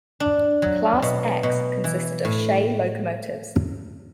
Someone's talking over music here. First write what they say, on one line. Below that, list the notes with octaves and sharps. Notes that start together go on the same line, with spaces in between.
Class X consisted of Shay locomotives.
D4
F#3
B2
B2
E3
A2